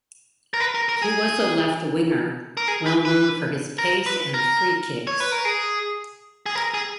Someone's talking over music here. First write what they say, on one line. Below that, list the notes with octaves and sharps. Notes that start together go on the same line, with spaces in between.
He was a left winger, well known for his pace and free-kicks.
A#4
B4
A#4
A#4
G#4
A#4
G#4
B4
B4
A#4
B4
A#4
C#5
B4
A#4
G#4
G#4
A#4
G#4